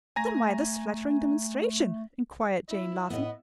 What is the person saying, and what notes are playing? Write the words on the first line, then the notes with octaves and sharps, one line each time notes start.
"Then why this flattering demonstration?" inquired Jane, laughing.
A3 G#5 A#5 A#6
E4
A2 B3 D#5